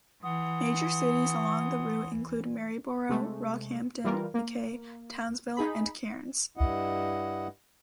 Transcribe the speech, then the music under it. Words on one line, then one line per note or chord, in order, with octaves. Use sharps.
Major cities along the route include Maryborough, Rockhampton, Mackay, Townsville, and Cairns.
E3 F#5 C6 D#6
C3 G#3 A3
E3 G3 F4 A#4
A#3
D#4 G#4 B5
G2 E4 D#5 F#5